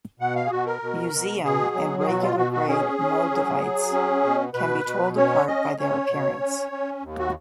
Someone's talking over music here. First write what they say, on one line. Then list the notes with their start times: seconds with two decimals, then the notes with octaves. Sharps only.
Museum and regular grade moldavites can be told apart by their appearance.
0.20 B2 F#5
0.36 F5
0.46 G#4
0.51 B2 F#4
0.66 A#4
0.82 B2
1.14 B2
1.44 B2 G#4
1.75 F#3
2.00 G#4
2.07 B2 F#4
2.22 F4
2.37 B2 F#4
2.53 F#4
2.68 C#4 G#4
2.99 C#4
3.31 F#3
3.61 F#3
3.93 C#4
4.24 B2
4.54 B2 B4
4.85 B2
5.16 C#4 C#5
5.48 C#4 D#5
5.78 C#4 C#5
6.09 B2
6.40 C#4
6.72 C#4
7.03 D#2
7.19 F#4